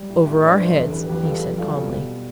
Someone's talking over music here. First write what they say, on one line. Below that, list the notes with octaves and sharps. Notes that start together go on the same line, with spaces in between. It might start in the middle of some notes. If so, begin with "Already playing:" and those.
"Over our heads," he said calmly.
Already playing: G3
A2
A2
G2 B4 D5
G2 C5 E5
E2 A4 C5
E3 G4 B4
E2 G4 B4
G3 F4 A4
F2
G3 F4 A4
B2
B2